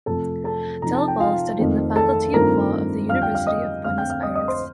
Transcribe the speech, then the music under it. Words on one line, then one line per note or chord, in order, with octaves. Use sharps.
Del Valle studied in the Faculty of Law of the University of Buenos Aires.
F2 C3 F3 A3 C4 A4 A5
A4 A5
C3 F3 C4 D#4 A#5
A5
G5
F4 F5
F2 D#3 A3 C4
A4 A5
G2 D#3 A3 C4 F4 A#4 A#5
F2 D3 G3 D4 F4 F5 F6
G5 G6
F5 F6
D#5 D#6
F2 D3 A3 C4 F5 F6
G5 G6
F5 F6
D#5 D#6
D#5 D#6
C5 C6